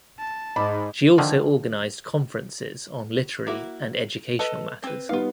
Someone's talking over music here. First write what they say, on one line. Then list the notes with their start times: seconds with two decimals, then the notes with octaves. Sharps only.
She also organised conferences on literary and educational matters.
0.19 A5
0.56 G#2 D#5 B5 D6
1.18 D3 D#3 F3
3.47 A#3 E4 F#4
4.39 A4 B4 D#5
4.83 C4 B4
5.09 G3 B3 D#4 F4 F5